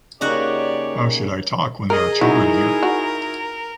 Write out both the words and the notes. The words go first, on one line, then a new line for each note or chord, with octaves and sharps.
How should i talk when there are children here?
C#3 A#3 D#4 F#4 G4 C#5 D5 F#5
G#4 A#4 D#5
D#4 E4 F#4 A#4
F#4